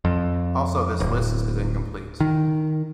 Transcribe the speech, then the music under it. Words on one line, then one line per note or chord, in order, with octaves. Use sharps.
Also this list is incomplete.
F2
D1
D#3